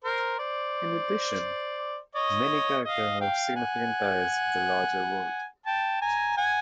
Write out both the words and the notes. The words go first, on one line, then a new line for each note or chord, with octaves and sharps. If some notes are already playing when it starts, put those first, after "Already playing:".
In addition, many character have significant ties with the larger world.
A#4 C5
C5 D5
C#5 D#5
D#5 F5
F5 G5
F#5 G#5
G5 A5
G#5 A#5
F#5 G#5